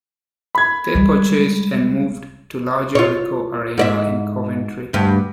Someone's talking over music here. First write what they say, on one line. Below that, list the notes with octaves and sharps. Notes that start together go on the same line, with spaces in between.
They purchased and moved to the larger Ricoh Arena in Coventry.
B5 G#6
G3 G#3
F4 C#5
G#2 D5 E5
D2 G2